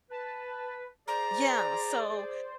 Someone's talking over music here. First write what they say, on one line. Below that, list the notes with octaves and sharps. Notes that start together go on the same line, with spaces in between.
Yeah, so,
B4 A5
G#4 C5 D5 A#5